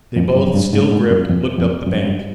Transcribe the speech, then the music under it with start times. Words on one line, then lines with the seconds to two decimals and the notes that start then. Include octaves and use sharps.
They both, still gripped, looked up the bank.
0.16 F2
0.35 F#2
0.54 G2
0.73 G#2
0.91 G#2
1.10 F#2
1.30 F2
1.58 F2
1.87 F#2
2.05 G2